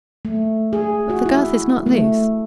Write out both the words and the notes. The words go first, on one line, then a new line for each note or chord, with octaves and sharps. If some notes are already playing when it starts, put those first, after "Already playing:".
"But the girth is not loose."
A3
G#4
F#4
E4
A3